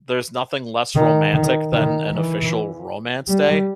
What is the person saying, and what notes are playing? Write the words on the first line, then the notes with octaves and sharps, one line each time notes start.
there's nothing less romantic than an official romance day.
D#3
D#3
D#3
E3
G3